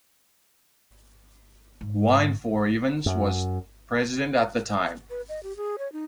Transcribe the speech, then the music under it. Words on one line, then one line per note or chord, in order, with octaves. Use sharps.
Gwynfor Evans was president at the time.
G#2
F#2
B4
D#5
G4
G#4
C#5
D#4